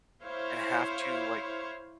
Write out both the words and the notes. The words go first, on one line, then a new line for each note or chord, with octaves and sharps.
and have to like
E4 C5 C#5 F5